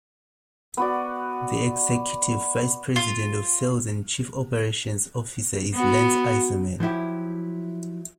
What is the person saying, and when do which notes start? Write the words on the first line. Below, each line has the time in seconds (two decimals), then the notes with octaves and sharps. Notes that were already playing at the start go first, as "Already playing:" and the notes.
The Executive Vice President of Sales and Chief Operations Officer is Lance Iserman.
0.77 B3 F#4 D5
2.96 F4
5.74 B3 F#4
6.80 F3 F#3 E4 G4